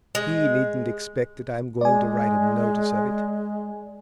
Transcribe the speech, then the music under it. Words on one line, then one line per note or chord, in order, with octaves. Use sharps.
He needn't expect that I'm going to write a notice of it.
G#3
G#3 D5 G#5